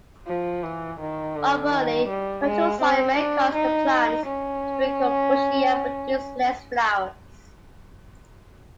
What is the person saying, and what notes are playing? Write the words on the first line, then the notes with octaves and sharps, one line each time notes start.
Overly fertile soil may cause the plants to become bushy and produce less flowers.
F3
E3
D#3
D3
D#3
G3
G#3
C4
D4
D#4
C#4